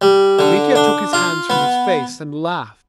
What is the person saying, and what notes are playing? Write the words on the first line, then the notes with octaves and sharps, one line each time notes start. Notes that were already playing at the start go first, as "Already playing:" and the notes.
Mitya took his hands from his face and laughed.
G3
D3
D4
F4
B3